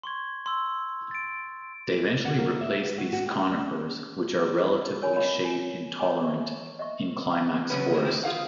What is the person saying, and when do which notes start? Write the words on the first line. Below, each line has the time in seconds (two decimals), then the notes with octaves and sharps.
They eventually replace these conifers, which are relatively shade-intolerant, in climax forest.
0.03 C6 C#6 G#6
0.46 C6 E6
1.11 A6 D7
2.25 F#5
2.39 A#3
2.61 E5
2.76 B4
2.98 F#4
3.13 F#4
3.26 G4
3.48 D2
5.02 A#4 C#5 G#5 A#5 B5
5.16 C#5 D#5 F5 B5
5.45 G#5
5.98 C#5 D#5 G#5 B5 D6
6.24 E5 C#6
6.79 D#5 E5 C#6
7.70 C#3 F#3 B3 C#4 B4
7.92 D#3 F#3 A#3
8.05 C3 G#3 C4
8.23 F4 G#4 F5 F#5